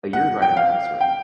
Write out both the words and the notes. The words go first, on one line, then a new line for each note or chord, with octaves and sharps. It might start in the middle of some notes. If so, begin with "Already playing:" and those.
A year ago, I didn't know how to swim,
F#5
G5
F5
G5